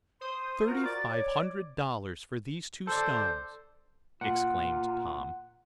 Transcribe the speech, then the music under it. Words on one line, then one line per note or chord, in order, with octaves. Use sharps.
"Thirty-five hundred dollars for these two stones!" exclaimed Tom.
C5 C6 D#6
F4 F#4 A#4 A#5
D5 D6 A6
C#5
A4 C5 D5
A#2 F4 F#5